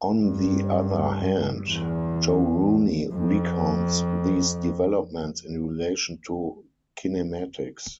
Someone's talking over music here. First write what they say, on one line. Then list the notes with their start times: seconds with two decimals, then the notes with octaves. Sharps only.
On the other hand, Joe Rooney recounts these developments in relation to kinematics.
0.24 G2
1.69 E2
3.14 F2